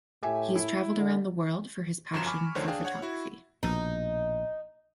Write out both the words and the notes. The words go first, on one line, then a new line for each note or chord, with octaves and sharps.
He has travelled around the world for his passion for photography.
A2 G4 E5 G#5
E4
D3
G1 F#2 F3 A#5 C6 E7
G#5 B5 C#6 D6 F6
D2 D3 D#3 F3 C5 C#5
D4 G#4 F5 G5
C#5 F#5 G#6
E4 F#4
A#1 B2 D#4